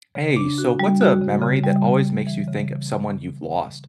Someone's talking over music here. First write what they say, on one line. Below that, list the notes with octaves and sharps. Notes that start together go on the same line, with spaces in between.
Hey, so what's a memory that always makes you think of someone you've lost?
C#3
D4
F#4
G3
F#4
C#3
C#3
G3
C#3
C#3
E3
C#3